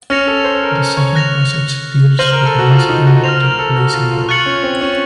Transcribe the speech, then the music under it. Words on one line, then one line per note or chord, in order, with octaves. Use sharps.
The second passage deals with an incident that took place in Bodmin.
C#4 F6 A#6 C#7 F7
A4
C5
A#4
C#5
F#6 A#6 F7
C5 F6 A#6 D#7 F#7
A#4
A4
F#4
F4
D#4
F#4
C5 F6 A#6 F7
A#4
A4
F#4
F4
F4
F4 C#6 F#6 A6 C#7 F#7
C#4
C4
C#4